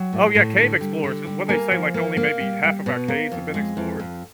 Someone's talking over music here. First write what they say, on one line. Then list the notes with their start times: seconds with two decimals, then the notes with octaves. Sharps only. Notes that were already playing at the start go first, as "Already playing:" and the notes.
Oh, yeah, cave explorers! Who what'd they say, like, only maybe half of our caves have been explored?
Already playing: F#3 G5
0.13 A2
0.35 A2
0.58 D3
0.81 G3
1.04 D3
1.27 G3
1.49 A#3 G#5
1.71 F3
1.94 A#3
2.17 A#3
2.40 G3
2.64 G3
2.86 B2
3.08 A#3
3.32 F2
3.54 G#3
3.77 F2
4.00 F2